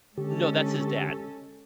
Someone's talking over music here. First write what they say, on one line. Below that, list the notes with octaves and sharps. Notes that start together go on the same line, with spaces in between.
No, that's his dad.
D3 G#3 C#4 G4 A4